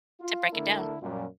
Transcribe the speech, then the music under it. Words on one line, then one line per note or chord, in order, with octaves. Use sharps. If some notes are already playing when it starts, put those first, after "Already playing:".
To break it down.
F4
D3 A3 D4 E4 A4 A#4
F#2 A#2 G3